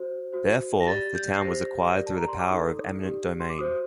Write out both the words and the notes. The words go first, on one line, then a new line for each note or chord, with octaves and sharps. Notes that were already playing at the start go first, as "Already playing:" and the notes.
Therefore, the town was acquired through the power of eminent domain.
Already playing: F#4 C5
F#4 C5
A#6
G4 D5 A6
G6
C7
G4 C5 A#6
G4 A#4 D5
A5
A#5
C6
D6
D#4 A4 D5 D#6
G4 D5
C6
D6
F#4 C5 D#6